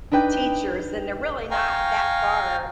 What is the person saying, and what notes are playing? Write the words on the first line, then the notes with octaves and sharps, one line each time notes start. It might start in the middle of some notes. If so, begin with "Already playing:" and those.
teachers, then they're really not that far
D4 D#4 B4 G5 G6
F5 G5 G#5 A#5 C#6